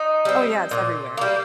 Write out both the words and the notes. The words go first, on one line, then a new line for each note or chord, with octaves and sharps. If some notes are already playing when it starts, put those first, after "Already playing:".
Oh, yeah, it's everywhere.
Already playing: D#4
G3 C4
A#2
G3 A#3